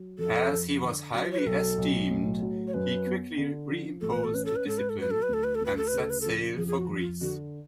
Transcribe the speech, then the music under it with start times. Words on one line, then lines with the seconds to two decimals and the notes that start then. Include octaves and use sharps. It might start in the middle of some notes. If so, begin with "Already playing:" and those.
As he was highly esteemed, he quickly reimposed discipline and set sail for Greece.
Already playing: F#3
0.19 F2 A4
0.51 F2
0.82 D3
1.14 F#3
1.32 C#5
1.39 B4
1.46 B1 A4
1.78 B1
2.10 A2
2.42 F#3
2.67 C#5
2.74 F#2 B4
3.05 B3
3.37 D3
3.70 F3
4.01 A1 A4
4.13 B4
4.24 A4
4.34 C#4 B4
4.45 A4
4.56 B4
4.65 G#2 A4
4.78 B4
4.89 A4
4.97 F#3 B4
5.11 A4
5.22 B4
5.29 D2 A4
5.44 B4
5.55 A4
5.61 D2 B4
5.77 A4
5.88 B4
5.93 C#3
5.99 A4
6.10 B4
6.21 F3 A4
6.57 F2 G#4
6.68 G#4
6.78 F#4
6.89 F2
7.00 F4
7.21 D3 F#4